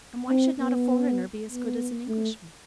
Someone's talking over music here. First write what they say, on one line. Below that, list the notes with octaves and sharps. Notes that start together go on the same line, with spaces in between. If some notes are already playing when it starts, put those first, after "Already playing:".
And why should not a foreigner be as good as an Englishman?
C4
B3
B3
A3